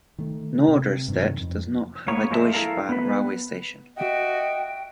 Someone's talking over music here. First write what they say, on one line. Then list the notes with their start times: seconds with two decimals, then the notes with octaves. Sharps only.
Norderstedt does not have a Deutsche Bahn railway station.
0.19 D#3 A3
0.68 C3
1.08 G2 C3 D#3
1.36 F2
2.08 A#3 B3 C#5
2.30 F3 G#3 A3 E5 A5
2.53 E4 A4 A#4 F5
2.89 B3 B4
3.97 F#4 D#5 E5 G5